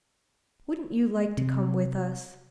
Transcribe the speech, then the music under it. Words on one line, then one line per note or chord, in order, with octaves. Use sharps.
Wouldn't you like to come with us?'
C3